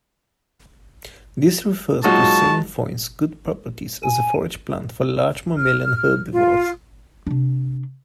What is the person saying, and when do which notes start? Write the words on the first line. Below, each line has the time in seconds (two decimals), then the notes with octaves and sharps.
This refers to sainfoin's good properties as a forage plant for large mammalian herbivores.
2.04 A#2 F#3 G#3 D#4 F#4 A5 C#6
4.04 G#5
5.57 F6
6.32 F4
7.27 C3 D4